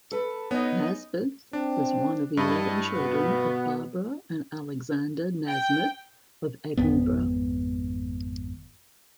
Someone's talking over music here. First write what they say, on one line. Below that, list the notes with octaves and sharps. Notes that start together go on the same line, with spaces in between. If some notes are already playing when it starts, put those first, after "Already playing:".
Nasmyth was one of the eleven children of Barbara and Alexander Nasmyth of Edinburgh.
A4 B4
B3 C#4 D#4 D#5
C4 D4
G2 G3 E4 D#5 A5
B2 B3
G5
G#1 F2 B3